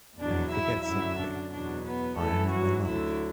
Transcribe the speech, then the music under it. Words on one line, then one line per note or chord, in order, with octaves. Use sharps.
And you forget something:i am in the lot.
E2 B2 F#3 D4 D5
E4 E5
F#2 D3 F#3 E4 E5
D4
E2 B2 F#3 D4
B3 B4
F#2 E3 A3 A4
F#3 F#4
D2 D3 F#3 E4